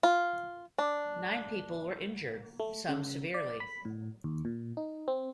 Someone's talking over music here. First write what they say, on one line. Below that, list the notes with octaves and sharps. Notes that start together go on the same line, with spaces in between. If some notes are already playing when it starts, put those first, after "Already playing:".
Nine people were injured, some severely.
F4
D4
A3
C#3
D5
B5
A2
D#2
A#2
D#4
C4